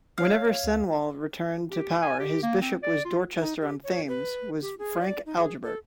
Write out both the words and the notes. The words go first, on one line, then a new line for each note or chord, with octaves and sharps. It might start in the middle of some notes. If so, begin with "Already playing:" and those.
Whenever Cenwalh returned to power, his Bishop in Dorchester-on-Thames was the Frank Agilbert.
C#5 F5
D2
G4
G#5
G4
A#3
C4
D5
F4
D#4
G4
C#5
B4
G4
G#4
D5
D#4
G#4
A4